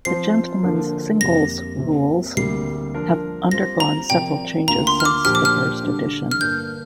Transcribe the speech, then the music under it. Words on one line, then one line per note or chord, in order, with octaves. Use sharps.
The Gentlemen's Singles' rules have undergone several changes since the first edition.
F3 C4 F4 C5 C7
D3 F3 A#3 D4 A#4
F2 C3 G3 A#3 A#6
C3 A#3 G4 C5
D2 C3 G3 A#3 C7
F3 D4 A#4
G3 C4 F4 C5 A#6
A#5
C3 F3 C4 A#4 D5 G5
D2 D3 A#3 F4 A#5
C6
F6
D6
A#2 F3 D4 G4 C5 F6
D6
F6
D3 G3 D4
F6
G2 D3 A#3 D4 G6